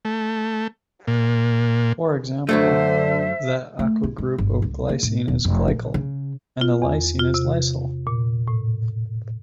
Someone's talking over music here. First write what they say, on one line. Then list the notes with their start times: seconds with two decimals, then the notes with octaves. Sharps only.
For example, the acyl group of glycine is glycyl, and of lysine is lysyl.
0.05 A3
1.08 A#2
2.49 F#2 D3 F#3 A3 C5 E5
3.79 A3
4.03 E4
4.18 G#3
4.38 G1
4.62 C#2
4.89 A#3
5.03 A2
5.28 D#1
5.45 F1
5.68 A#1
5.94 C#3
6.61 F4
6.82 E2
7.19 F4
7.34 C3
8.07 A#2
8.48 A2